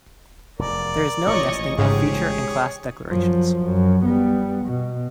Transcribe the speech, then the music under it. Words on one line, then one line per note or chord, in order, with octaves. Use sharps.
There is no nesting of feature and class declarations.
F1 E2 A#4 D5
A1 A#2 F3 C#5 D#5 C#6
G#2 C#3 G4 G#4 C#5
F#2 F3
F#2
G3 B3
B2